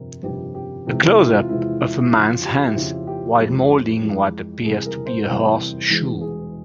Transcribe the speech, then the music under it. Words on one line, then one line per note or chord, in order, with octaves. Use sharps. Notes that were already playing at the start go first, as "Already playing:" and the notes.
A closeup of a man 's hands while molding what appears to be a horseshoe.
Already playing: G1 F2 C3 A#4
G1 F2 C3 G4
G4
E2 C3 F3 G#3
E4
F4
E2 C3 F3 G#3 E4
E4
F2 C#3 F3 F4
G4
E4
F2 C#3 F3 F4
G4
F2 E3 G#3
F2 E3 G#3
E2 C3 E3 G3 G#4
A#4
C5
E2 C3 E3 G3
E1 E2 E3 G#3
G#4